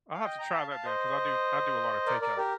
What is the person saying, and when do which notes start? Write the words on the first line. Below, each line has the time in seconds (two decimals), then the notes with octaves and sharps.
I'll have to try that then 'cause I do I do a lotta takeout.
0.13 F5
0.25 D#5 G5
0.39 G5 A#5
0.54 F5 A5
0.70 F5 A5
0.85 C5 D#5
2.06 A#4 D5
2.22 A#4 D5
2.37 G4 A#4